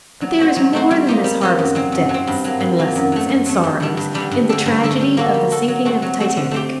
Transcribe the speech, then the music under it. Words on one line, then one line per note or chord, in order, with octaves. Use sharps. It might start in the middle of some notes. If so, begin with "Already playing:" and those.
But there is more than this harvest of debts, and lessons, and sorrows, in the tragedy of the sinking of the Titanic.
F#3
A3 C4 F#4 C5
F#3
A3 C4 F#4 C5
G3
A#3 D#4 G4 C5
G3
A#3 D#4 G4 C5
F#2
F#3 C4
F#2
F#3
C4
G2
F#3 A#3
G2
F#3 A#3
F#2
F#3 A3
F#2
F#3 A3
G2
D3 G3 D4
G2
D3 G3 D4
G2
D3 A3 D4 A4
G2
D3 A3 D4 A4
G3
A#3 F#4 A4
G3
A#3 F#4 A4
F#3
A3 C4 F#4
F#3
A3 C4 F#4
D3
A3 C4 G4